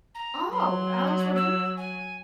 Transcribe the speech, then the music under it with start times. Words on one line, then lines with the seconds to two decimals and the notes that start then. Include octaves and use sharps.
Oh, Alex Rodri
0.15 A#5
0.52 F#3 C6
1.36 E6
1.77 G#5